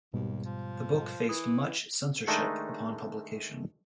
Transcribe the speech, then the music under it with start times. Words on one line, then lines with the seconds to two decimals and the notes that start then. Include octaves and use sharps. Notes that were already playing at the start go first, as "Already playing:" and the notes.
The book faced much censorship upon publication.
0.14 D#2 G#2 B2 G3
0.45 F3
1.29 E3 D#6
2.28 D#3 G#3 A3 D4 D#4